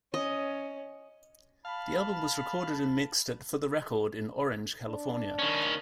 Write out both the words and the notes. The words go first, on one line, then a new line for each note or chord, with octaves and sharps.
The album was recorded and mixed at "For the Record" in Orange, California.
C#4 D#5
F5 A5 B5
D4
D#3 C#4